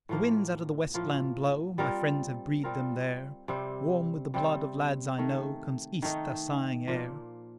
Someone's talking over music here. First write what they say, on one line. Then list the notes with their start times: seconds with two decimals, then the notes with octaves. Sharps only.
The winds out of the west land blow, My friends have breathed them there; Warm with the blood of lads I know Comes east the sighing air.
0.09 A2 F3 A#3 F4
0.94 A2 F3 A#3 F4
1.78 G3 C4 F4 A#4
2.63 G3 C4 F4 A#4
3.48 C3 G3 C4
4.34 C3 G3 C4
5.18 D#3 A3 D#4
6.02 D#3 A3 D#4
6.87 A#2 F3 A#3